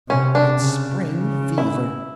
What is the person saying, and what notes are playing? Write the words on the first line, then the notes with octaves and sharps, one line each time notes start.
It's spring fever.
C3 C#4
D4
C#3
C#3
E4